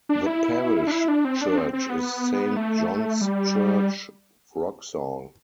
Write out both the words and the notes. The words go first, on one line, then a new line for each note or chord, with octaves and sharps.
The parish church is Saint John's Church, Wroxall.
D4
E4
D4
E4
D4
C4
D4
C4
C4
B3
A3
G3